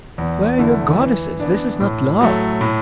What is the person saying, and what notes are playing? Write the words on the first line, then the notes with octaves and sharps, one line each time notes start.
Where are your goddesses? This is not love.'...
E2
D3 A3 E4
E3
B3 D4
A2
F#3 A3
A2